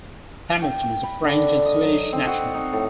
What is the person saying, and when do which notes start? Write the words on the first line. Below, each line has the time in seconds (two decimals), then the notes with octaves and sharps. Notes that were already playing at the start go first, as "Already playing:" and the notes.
Hamilton is a French and Swedish national.
0.62 G5
1.03 B5
1.24 D3
1.65 D#5
1.82 F#3
2.13 C4
2.27 F#4
2.54 D#4
2.73 A2